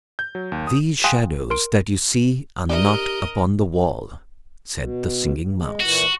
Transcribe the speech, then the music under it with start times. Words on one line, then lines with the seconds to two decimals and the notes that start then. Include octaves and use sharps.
"These shadows that you see are not upon the wall," said the Singing Mouse.
0.19 G6
0.35 F#3
0.52 D#2
0.67 D#6
1.04 F5 G5 G#5 C6 D#6 F#6
1.50 A#4 C6 D7
2.69 D4 G4 A#4 B4 D#5 E5
4.78 B2
5.42 G2
5.59 G#3
5.80 A#2 E3 F#4